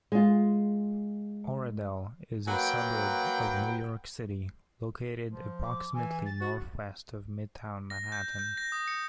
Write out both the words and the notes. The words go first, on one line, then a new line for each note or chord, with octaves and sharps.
Oradell is a suburb of New York City, located approximately northwest of Midtown Manhattan.
G#3 F4
F#3 A#3 B4 F#5 G5
F3
D6
E3 G#5
A6
F#4
A#6
G6
G6
A#6
D#6
C#7